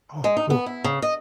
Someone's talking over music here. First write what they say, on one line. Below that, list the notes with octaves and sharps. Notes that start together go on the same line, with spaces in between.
Oh, cool.
G#3
D#4
B3
E4
C#3
D#5